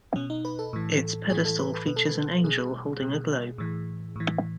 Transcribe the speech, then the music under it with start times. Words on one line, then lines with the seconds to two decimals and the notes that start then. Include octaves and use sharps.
Its pedestal features an angel holding a globe.
0.16 B2 C#4
0.30 D#4
0.45 B4
0.59 A4
0.73 A2 E3
1.30 A2 E3 G#4
1.45 A4
1.59 B4
1.74 A4
1.87 B2 B4
1.96 A4
2.06 B4
2.44 B2 G#4
3.02 B2
3.58 A2 E3
4.16 A2 E3